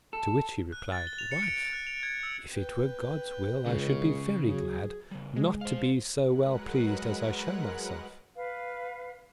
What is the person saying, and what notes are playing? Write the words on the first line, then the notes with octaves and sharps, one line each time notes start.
To which he replied, "Wife, if it were God's will, I should be very glad not to be so well pleased as I show myself."
A4
F#6
A6
G7
F7
C#7
D7
D7
F#6
F7
G#6
E6
B4 G5
C#2 C#3
F#3 G#4
C#3 G3
G#3
C5 F5
F#3 G#3 A#4 B4 F#5 F#6
B4 F5